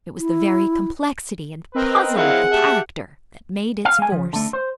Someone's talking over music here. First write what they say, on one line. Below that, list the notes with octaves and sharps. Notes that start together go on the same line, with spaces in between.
It was the very complexity and puzzle of the character that made its force.
E4
C4 A#4 B4 D#5
F#3 E4 G#4 F5 F#5
G4 E5 A5
F5
G#3 G#5
F3
D3 A3
C5